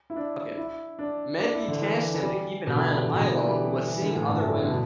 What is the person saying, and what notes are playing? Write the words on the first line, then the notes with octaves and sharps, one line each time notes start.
Medb tasked him to keep an eye on Ailill, who was seeing other women.
E4
D4
E4
D4
D4
E4
D3
E3
E3
G3
B2
D3
E3
G3
D3
B2
D3
E3
G3
E3
D3
A2
G2
A3
G3
E3
D3
B2